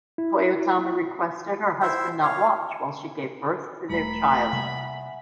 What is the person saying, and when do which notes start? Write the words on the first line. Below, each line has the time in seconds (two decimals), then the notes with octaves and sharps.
Toyotama requested her husband not watch while she gave birth to their child.
0.18 E4
1.82 E4 C5 E5
2.22 C#5 F5
3.90 E1 G3 A3 A#5 B5
4.53 C3 G3 A#3 E5 F#5 G#5